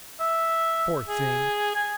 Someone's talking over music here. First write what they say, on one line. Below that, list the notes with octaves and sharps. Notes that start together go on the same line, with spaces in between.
Poor thing!
E5
G#4
G#5